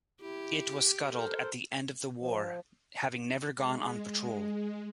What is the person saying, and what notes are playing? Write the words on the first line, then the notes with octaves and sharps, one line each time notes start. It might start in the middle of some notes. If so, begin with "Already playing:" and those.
It was scuttled at the end of the war, having never gone on patrol.
E4 G4
A4 A#4 C5
F3
G#3